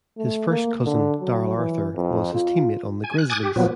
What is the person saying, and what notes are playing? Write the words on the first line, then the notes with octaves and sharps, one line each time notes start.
His first cousin Darrell Arthur was his teammate on the Grizzlies.
A3
A#3
D3
F#3
E3
F2
F4
G#5
F#6
G#5 D6 D#6 F#6 G#6 A6
G4
A#2 F3 F#3 B3